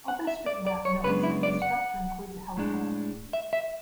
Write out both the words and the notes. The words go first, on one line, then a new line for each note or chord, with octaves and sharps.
OpenStreetMap notes that the structure includes a helipad.
F#5
E5
D5
D5
C#5
F#2 C#3 G#3 B3 D4 B4
E4
D5
F#5
A2 G#3 D4
E5
E5